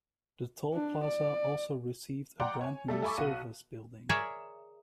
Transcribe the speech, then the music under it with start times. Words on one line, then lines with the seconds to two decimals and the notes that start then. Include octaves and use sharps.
The toll plaza also received a brand-new service building.
0.74 D4
1.05 D5
2.40 D5 F#5 G5 A#5 C6 D6
2.61 C#5 G#5
2.88 G3 A3 A4
3.02 A4 E5 G#5 B5 C#6 D6
3.17 B1 F#4 F#5 D#7
4.09 G#4 A#4 C#5 D5 E5